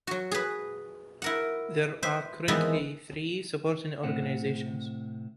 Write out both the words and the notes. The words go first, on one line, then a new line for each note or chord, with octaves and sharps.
There are currently three Supporting Organizations.
F#3 F#4
G#4 B4
E4 A#4 F#5
B4 C5 E5
D#3 E3 G#3 B3 C4 E4
A2 C3 C4 F#5